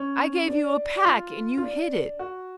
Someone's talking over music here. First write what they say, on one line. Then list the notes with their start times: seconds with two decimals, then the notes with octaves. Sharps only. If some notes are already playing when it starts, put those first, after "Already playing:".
I gave you a pack and you hid it.
Already playing: C#4
0.48 D4
1.06 F4
1.57 F4
1.63 D4
2.19 F#4